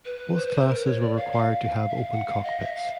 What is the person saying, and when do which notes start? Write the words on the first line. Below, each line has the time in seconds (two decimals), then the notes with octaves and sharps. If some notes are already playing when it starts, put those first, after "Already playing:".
Both classes were required to have open cockpits.
0.05 B4
0.37 C5
0.46 B4
0.56 C5
0.69 A#4
0.85 C#5
1.01 D5
1.17 F5
1.32 F5
1.64 F5
1.88 E5
1.96 F5
2.12 F#5
2.28 F5
2.44 D#5
2.60 E5
2.75 F5